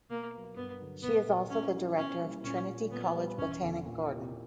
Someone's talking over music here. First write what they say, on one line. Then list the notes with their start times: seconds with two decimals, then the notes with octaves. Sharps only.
She is also the Director of Trinity College Botanic Garden.
0.09 B2 A#3
0.33 F#3 B3
0.56 G2 B3
0.80 D3 F#3
1.03 A#1 B3
1.27 A#2 F#3
1.50 A#2 C#4
1.74 F#3 A#3 E4
1.97 B2 C#4
2.20 G3 A#3 E4
2.44 A#2 C#4
2.68 G3 C#4
2.91 A#2 B3
3.14 G3 B3
3.38 E1 C#4
3.61 E2 D3
3.85 A#2
4.09 A#3 E4 G4 A#4